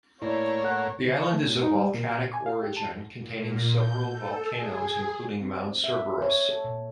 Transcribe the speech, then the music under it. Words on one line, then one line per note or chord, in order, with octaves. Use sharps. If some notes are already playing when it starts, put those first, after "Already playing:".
The island is of volcanic origin, containing several volcanoes including Mount Cerberus.
A2 A#3 E4 C#5 D5
A4 F#5 F#6
C#3
C#6
A3
A2
D#4
G3
A#2
G#5
F5
G4
A5
A#2
G6
A4
G#4
C4
E5
C#5
A4
A#2